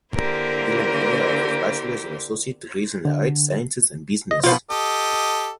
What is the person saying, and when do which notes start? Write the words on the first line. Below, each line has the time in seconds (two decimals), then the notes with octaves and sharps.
Villa Maria offers bachelor's and associate degrees in the arts, sciences, and business.
0.14 D3 A#3 E4 G4 A#4 C5
3.05 D3
4.31 D#5
4.44 B2 F3 B3 F4 C5
4.70 G4 A4 D#5